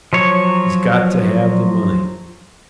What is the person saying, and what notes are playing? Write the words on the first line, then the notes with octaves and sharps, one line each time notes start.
He's got to have the money.
F3 F#3 C#5